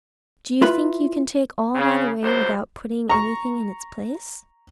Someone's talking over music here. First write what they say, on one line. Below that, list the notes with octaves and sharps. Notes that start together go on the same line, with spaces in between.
Do you think you can take all that away without putting anything in its place?
E4 F4 B4 E5 B5
C#3
C#2 F#2 C5
A#5 C#6